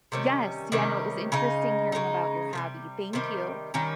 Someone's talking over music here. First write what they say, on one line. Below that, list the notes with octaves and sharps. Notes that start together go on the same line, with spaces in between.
Yes, yeah no, it was interesting hearing about your hobby, thank you.
C3 D#3 G3 C#4
C3 D#3 G3 C#4
C#3 G#3 D#4
C#3 G#3 D#4
C3 D#3 G3
C3 D#3 G3
D#3 G3 C#4